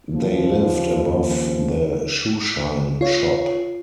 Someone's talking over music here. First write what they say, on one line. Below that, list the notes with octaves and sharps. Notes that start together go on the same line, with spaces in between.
They lived above the shoeshine shop.
D#2 C#3 F3
F4 C#5